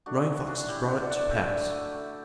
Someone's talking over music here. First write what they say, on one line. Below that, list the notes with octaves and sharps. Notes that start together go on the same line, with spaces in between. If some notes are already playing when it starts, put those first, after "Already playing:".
Running Fox has brought it to pass.
A3 D4 F#4
E3
C#3 D4 F#4
E3 E4 G4
D3 D5 F#5
A3 D5 F#5
D3 E5 G5
F#3
A3
A3